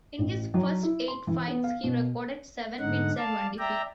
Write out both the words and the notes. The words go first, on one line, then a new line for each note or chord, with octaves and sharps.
In his first eight fights he recorded seven wins and one defeat.
A1
F#3
E4
C6
E3
B3
F5
B2
G#2 D3 D#4 F#5
D5 F5 A5
D5 E5 G5 A#5